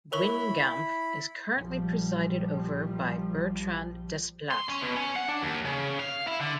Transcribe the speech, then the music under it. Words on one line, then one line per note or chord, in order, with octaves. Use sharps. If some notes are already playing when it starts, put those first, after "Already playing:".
Guingamp is currently presided over by Bertrand Desplat.
E4 A#4 C#5 B5 C#6
A#1 F3 G3
C6
C#4
B2
C#4
F#5
D4
D#2
C#3
F5
E4
D3